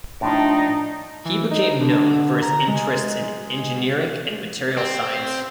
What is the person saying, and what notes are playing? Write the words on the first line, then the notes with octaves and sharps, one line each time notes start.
He became known for his interests in engineering and material science.
A2 F3 D4 D#4
E3
D#4
D3
A#5
G#3
C4